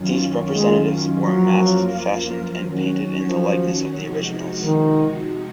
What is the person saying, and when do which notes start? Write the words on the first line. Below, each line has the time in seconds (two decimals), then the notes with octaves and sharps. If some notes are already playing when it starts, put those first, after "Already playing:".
These representatives wore masks fashioned and painted in the likeness of the originals.
Already playing: F#2 D#3 F#3 C#4 F4
0.55 G#3
1.22 F#2 F3 F#3 A#3 F4 A#4
2.60 D#3 F#3 C#4 F#4
3.28 F3
3.96 C3 F3 G#3 D#4 F#4
4.64 D#3